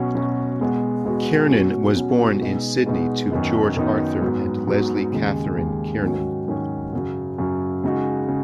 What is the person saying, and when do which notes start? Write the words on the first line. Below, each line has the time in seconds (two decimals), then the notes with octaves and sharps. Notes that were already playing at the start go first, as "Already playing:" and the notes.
Kiernan was born in Sydney to George Arthur and Leslie Katherine Kiernan.
Already playing: B2 F#3 C#4 F#4
0.15 B2 F#3 C#4 F#4
0.60 B2 G#3 B3 F#4
1.05 B2 G#3 B3 F#4
1.50 B2 F#3 C#4 F#4
1.95 B2 F#3 C#4 F#4
2.41 B2 G#3 B3 D#4
2.86 B2 G#3 B3 D#4
3.32 F#2 D#3 B3 D#4
3.77 F#2 D#3 B3 D#4
4.22 G#2 F#3 B3
4.67 G#2 F#3 B3
5.12 D#2 C#3 G#3
5.57 D#2 C#3 G#3
6.03 G#2 D#3 F#3 C#4 F#4
6.48 G#2 D#3 F#3 C#4 F#4
6.93 F#2 C#3 F#3
7.38 F#2 C#3 F#3
7.84 C#3 G#3 D#4 F#4
8.28 C#3